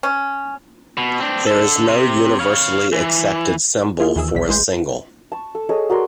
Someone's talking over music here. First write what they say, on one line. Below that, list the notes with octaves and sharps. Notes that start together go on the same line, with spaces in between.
There is no universally accepted symbol for a single.
C#4
B2
C4 D4
D3 A4
C3
C#5 F5
E3
A#3 E4 F4 G#4
D#2 E3 G#4 E6
B1 B6
A1 E3 G#3 C6 G6
A5 C#6
A4
G#4 A4 C#5 D#5
F#4 A#4 D5 C6